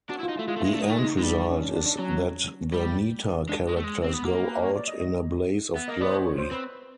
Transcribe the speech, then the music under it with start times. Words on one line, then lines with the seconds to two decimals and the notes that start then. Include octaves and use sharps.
The end result is that the meta-characters go out in a blaze of glory.
0.09 D4 F#4
0.19 E4
0.23 F4
0.29 D#4
0.36 E4
0.39 A3
0.48 G#3 F4
0.56 A3
0.60 E4
0.64 G#3
0.73 A3 D4
0.82 G#3
0.85 D#4
0.90 A3
0.99 G#3
1.05 D#4
1.18 G#3
1.23 G3 D4
1.51 C#4
1.61 D4
1.73 D4
1.86 D4
1.98 F#3 C#4
2.73 G3
3.49 G#3 D4
3.69 G#3
3.76 A3
3.84 G#3
4.04 C4
4.14 B3
4.25 A#3 F#4
4.44 B4
4.63 C#5
4.75 D5
4.88 D#5
5.00 D#5
5.75 B3 E5
5.88 A#3 D#5
6.01 B3 D5
6.08 C5
6.13 C#5
6.26 C#5
6.38 C5
6.51 C4 B4